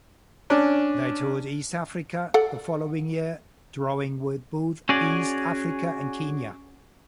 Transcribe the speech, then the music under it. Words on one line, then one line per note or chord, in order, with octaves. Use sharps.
They toured East Africa the following year, drawing with both East Africa and Kenya.
C#4 D4
A4 D5 F#5
C#4 F#4 G#4 D5